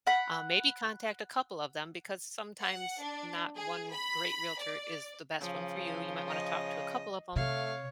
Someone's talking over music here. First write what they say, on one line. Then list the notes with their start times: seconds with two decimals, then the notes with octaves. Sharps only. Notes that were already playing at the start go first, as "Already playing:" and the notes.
um, maybe contact a couple of them because sometimes not one great realtor is the best one for you, you might wanna talk to a couple of 'em.
0.07 F#5 B5
2.62 F#5
3.00 D4
3.56 G#4
3.91 B5
4.60 D5
5.41 C#3 F3
6.28 D#5
7.36 C3 A3 C#5 F5